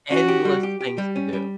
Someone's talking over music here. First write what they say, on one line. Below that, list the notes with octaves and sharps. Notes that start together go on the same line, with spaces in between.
Endless things to do.
C#4 F#4
G4
G3
G4
G4
G3
C#4
G3